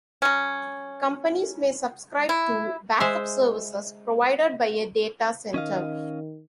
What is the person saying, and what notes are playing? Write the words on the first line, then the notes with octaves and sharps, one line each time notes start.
Companies may subscribe to backup services provided by a data center.
F#3 C#4
E4
G#3 C5 E5
D#3 C#4 D#5 F5